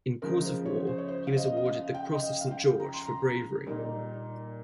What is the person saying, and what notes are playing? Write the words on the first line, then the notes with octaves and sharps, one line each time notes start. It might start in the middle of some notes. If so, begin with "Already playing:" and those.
In course of war he was awarded the Cross of Saint George for bravery.
C#3 F3 G#3 A#4
C5
C#5
C5
C#5
C5
F5
D#5
D#5
F5
G5
D#5
F5
F5
G5
A#5
C6
A#5
A#2 G3 A#3 D#4